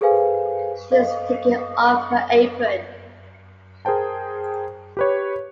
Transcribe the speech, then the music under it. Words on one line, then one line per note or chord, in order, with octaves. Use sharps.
She’s taking off her apron.
G#4 A4 B4 C5 F5 G#5
A4 D#5 F5
G#4 A#4 C5 G5 A5
G4 B4 C#5